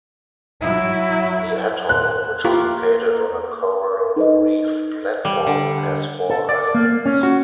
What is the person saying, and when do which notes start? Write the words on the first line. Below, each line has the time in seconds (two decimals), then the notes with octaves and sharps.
The atoll, which is located on a coral reef platform, has four islands.
0.61 F#3 E4
1.89 C5 F#6
2.44 A#3 E4 F4 G4
4.16 D#4 A4 B4 C5 D#5
5.25 G3
5.47 D3
6.30 A4
6.49 D5
6.75 A#3
7.06 C#4
7.23 F#4